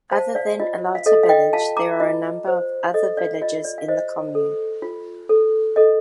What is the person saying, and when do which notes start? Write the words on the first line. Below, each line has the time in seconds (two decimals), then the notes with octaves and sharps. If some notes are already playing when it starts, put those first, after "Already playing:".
Other than Alata village there are a number of other villages in the commune.
0.11 C5 F5 A5
0.35 D5 F5
0.60 F4 D#5
0.95 F5
1.06 A4 D#5
1.23 F5
1.29 D#5 G5
1.53 F4 F5 A5
1.77 A#5 D6
2.00 F4 D#5
2.47 C5
2.94 A4 D#5
3.17 D5 F5
3.42 F4 D#5
3.65 D5
3.78 F5
3.88 C5 D#5
4.35 A4
4.82 F4
5.29 A4
5.76 A4 D#5